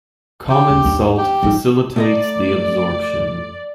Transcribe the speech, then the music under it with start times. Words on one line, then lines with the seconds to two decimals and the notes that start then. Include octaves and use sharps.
Common salt facilitates the absorption.
0.50 G4
0.70 D#1
0.84 D#2 D4
1.18 G4
1.43 F3 D#4
1.96 A3 D5 D#5 A#5